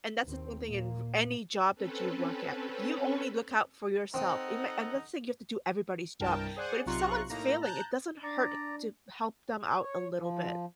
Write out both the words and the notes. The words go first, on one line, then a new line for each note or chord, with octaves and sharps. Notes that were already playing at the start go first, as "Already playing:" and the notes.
And that's the same thing in v any job that you work at. If you only look out for yourself, it may I'm not saying you have to do everybody's job. But if someone's failing, it doesn't hurt to help them out a little bit.
D#2 C4
A#2 A#3
C4 C#4 A4 B4
C4 D#4 A4 F#5 D#6
C2 G2 A#4 G5 A5
G#4 C5 D5 F#5 G#5
B1 C3 F4 A#5 C#6 F#6
A2 A#3 D#4 A#5 A#6
A5 A#5 F#6 G6
D4 D5 A#5
C#5
F3